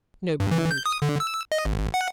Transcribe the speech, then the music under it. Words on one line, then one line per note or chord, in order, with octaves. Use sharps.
Nobody moved.
G2
E3
G6
D#6
D3
E6
D#5
G#1
F#5